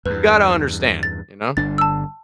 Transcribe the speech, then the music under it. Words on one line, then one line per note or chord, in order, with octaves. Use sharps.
you gotta understand," you know?
E2 G2 B4
A6
G1 D4 A6
A5 E6